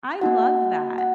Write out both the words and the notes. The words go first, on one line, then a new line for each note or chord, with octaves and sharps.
I love that,
A#3 D#4 F#4 F#5
F#5